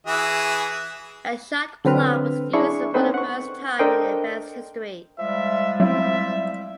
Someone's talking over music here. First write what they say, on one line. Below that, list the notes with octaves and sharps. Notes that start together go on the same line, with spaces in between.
A shot clock was used for the first time in the events history.
E3 F#4 G#4 E5
D3 F#3 C4 B4 F6
D4 E4 G#4 C#6
C4 C#4 D#4 A4 B4 C5
F#5 C#6
D4 A4 A#4 C5 D#5 G5
F3 G3 G#3 E5
F#3 C4 E4 E5